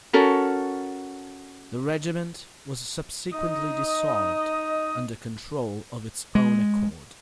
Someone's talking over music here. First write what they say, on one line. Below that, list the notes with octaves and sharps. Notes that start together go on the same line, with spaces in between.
The regiment was subsequently dissolved under control of its own accord.
C#4 F#4 A4 A#4
D#4 D#5
G#3